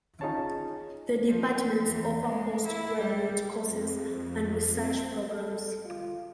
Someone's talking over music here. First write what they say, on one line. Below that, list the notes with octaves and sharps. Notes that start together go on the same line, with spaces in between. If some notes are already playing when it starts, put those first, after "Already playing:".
The departments offer post-graduate courses and research programmes.
C#4 D#4 F4 G#4 C#5 A5
F3
E2
G#3
E4
G3
F2
C4
A4
F4